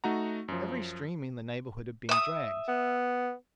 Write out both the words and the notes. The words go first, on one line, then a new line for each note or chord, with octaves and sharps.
Every stream in the neighbourhood had been dragged.
A3 D#4 F#4 F#5 A#5
F#2 F3
E5 D#6
B3